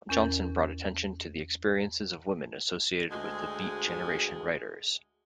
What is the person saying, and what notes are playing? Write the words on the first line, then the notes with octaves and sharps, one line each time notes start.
Johnson brought attention to the experiences of women associated with the Beat Generation writers.
E2 C#4 A#4 G6 A6
D2 G#3